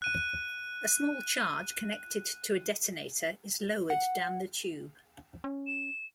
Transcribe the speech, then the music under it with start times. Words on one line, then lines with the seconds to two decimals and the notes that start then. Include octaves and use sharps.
A small charge connected to a detonator is lowered down the tube.
0.02 F#6 D#7
3.90 F#5
5.44 C#4
5.67 E7